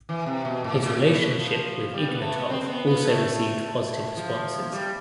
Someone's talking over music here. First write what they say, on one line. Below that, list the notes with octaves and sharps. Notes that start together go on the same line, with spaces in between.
His relationship with Ignatov also received positive responses.
E3
C3
B2
A2
A2
B2
B2
F3
G3
B3
A3
B3
C4
C4
B3
B3
A3
F3
G3